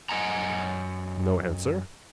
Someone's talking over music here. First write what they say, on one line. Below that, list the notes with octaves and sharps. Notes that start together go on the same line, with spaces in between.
No answer.
F#2 D#5 F#5 G#5 A#5